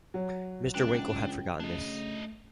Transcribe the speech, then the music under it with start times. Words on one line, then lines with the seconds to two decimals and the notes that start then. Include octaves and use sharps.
Mr. Winkle had forgotten this.
0.14 F#3
0.74 C#2 D4 G5
1.60 C#3 A3 D4 D#5